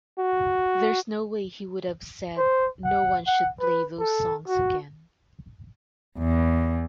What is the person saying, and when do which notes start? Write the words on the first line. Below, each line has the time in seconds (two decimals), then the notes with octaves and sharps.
There's no way he would have said 'No-one should play those songs again.
0.19 F#4
2.37 C5
2.84 F#5
3.27 F#5
3.61 B4
3.99 A4
4.48 F#4
6.18 E2